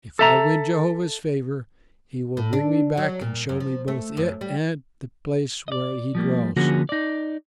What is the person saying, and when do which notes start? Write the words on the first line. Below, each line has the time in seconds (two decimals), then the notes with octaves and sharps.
If I win Jehovah's favor, he will bring me back and show me both it and the place where he dwells.
0.19 A4 E5 A#5
2.37 A2
2.53 D4
2.97 F#3
3.21 A#2
3.49 F#2
3.60 F3
3.88 A3
4.17 F#2
4.41 G3
5.68 D5 D#5
6.15 F3 G3 A#3
6.57 D3 F3 A#3 C#4 F#4 G#4
6.89 D#4 D5